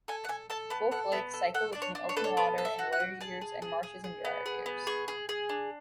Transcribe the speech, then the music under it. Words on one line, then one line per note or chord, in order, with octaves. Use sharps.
Both lakes cycle between open water in wetter years and marshes in drier years.
A4 G#5
F#5
A4 G#5
A4 A5
B3 A5
A4 F#5
B3 E5
A4
A4 F#5
D4 D5
C#5
D4
C#5
A4 B4
C#5
B3 D5
A4
E5
F#4
F#5
F#4
G#4 A5
G#4
G#4
G#4
G#4
B3
G#4
B3
G#4 C#6
G#4
G#4
D4